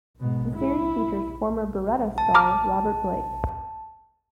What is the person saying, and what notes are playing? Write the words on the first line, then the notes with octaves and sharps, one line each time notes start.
The series features former "Baretta" star Robert Blake.
G#2 B2
E4
A5
A#5 D6 F6